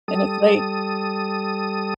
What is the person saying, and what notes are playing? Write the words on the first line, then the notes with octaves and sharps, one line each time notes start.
and it's like,
G3 A4 D#6